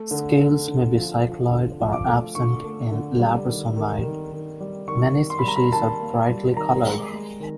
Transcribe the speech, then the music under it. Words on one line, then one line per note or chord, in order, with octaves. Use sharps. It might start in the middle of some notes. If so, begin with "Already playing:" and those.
Scales may be cycloid or absent in labrisomids; many species are brightly coloured.
Already playing: A3
D3
D3
D3
F3
F3
D3
F3
D6
A3
D3 C#6
A3
D3
G3
D#3
D#3
D#3
D#3
G3
D#3 C#6
D#3
C6
B5
G3 A#5
B5
D#3 A5
A#3
G3
D#3 A#5
G#3
G#3
D#3